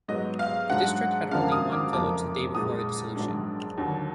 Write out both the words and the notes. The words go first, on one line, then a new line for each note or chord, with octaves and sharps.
The district had only one village the day before the dissolution.
G#2 F#3 B3 D#5
F5
G#2 F#3 D4 F#5
G#1 F#2 F3 A#3 D4 F5
D#6
D6
F#1 F2 F3 A#3 D6
B1 A#2 G#3 D#6
A#1 G#2 F#3 D4
D#2 D3 F#3 D4